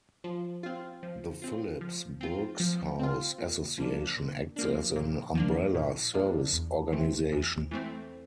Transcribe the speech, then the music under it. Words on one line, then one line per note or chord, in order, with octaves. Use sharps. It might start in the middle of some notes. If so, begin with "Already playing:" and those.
The Phillips Brooks House Association acts as an umbrella service organization.
F3
C4 F4
F3
C4 F4
F3
C4 F4
F3
C4 F4
A#2
F3 A#3 D4
A#2
F3 A#3 D4
A#2
F3 A#3 D4
A#2
F3 A#3 D4
E2
E3 A3 C4
E2
E3 A3 C4